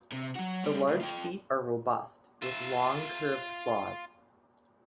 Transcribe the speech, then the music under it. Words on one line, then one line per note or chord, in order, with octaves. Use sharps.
The large feet are robust, with long curved claws.
C3
F#3 F#4
G3 G#3
D2
F4 G5
F4 E5